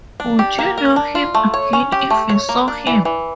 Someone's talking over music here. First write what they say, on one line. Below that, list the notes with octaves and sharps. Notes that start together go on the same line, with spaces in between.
Would you know him again if you saw him?
D4
G4
A#3
A#4
D4
F4
A3
C#5
C#4
G4
A3
C#5
A#3
D4
E3
E3